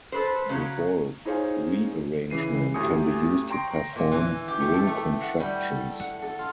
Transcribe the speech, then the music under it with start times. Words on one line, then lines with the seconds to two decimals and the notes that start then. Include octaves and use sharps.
The Wolff rearrangement can be used to perform ring contractions.
0.12 A4 B4 C5
0.49 C#3 F#3
1.25 D#4 G#4 C5 C#5 F5 G#5
2.30 C#3 E3 C7 D#7
2.74 D2 A2 G4 G#5 D#6 C#7
3.50 G5 A#5 C6 C#6 A#6 D7
3.96 A#2
4.12 E3
4.48 G4
4.60 A3
4.74 A4
4.87 A3
5.21 F#5
5.40 G3
5.70 A4
6.00 F#5
6.22 A4
6.39 F4